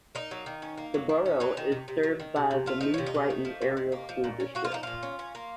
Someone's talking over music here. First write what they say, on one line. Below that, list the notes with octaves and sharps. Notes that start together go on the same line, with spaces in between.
The borough is served by the New Brighton Area School District.
A#3 D#4
F#3
D#3
C#4
A#3
F#3
D#3
C#4
F#3 D#4
D#3
C3
C3
F#3
D#3
C3
C3
A3 F4
F3 D#4
C3 C#4
D#4
C3
A3
F3
C3
C3
A#3
F3
A#2
C#4
A#3 F#4
F4
F3 D#4
A#2 F4
C#4
C#4
A#3